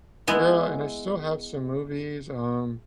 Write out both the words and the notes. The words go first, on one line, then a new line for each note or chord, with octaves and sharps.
Yeah, and I still have some movies, um,
G#3 B3 E4